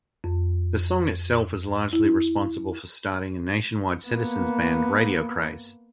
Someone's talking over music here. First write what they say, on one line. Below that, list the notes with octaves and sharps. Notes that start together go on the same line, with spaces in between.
The song itself was largely responsible for starting a nationwide citizens' band radio craze.
F2
E4
A#3 B3